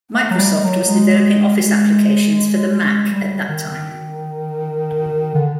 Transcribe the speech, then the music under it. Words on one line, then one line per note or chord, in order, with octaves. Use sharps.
Microsoft was developing office applications for the Mac at that time.
A3
F#3
G3
F#3
G#3
G#3
G3
D#3
D3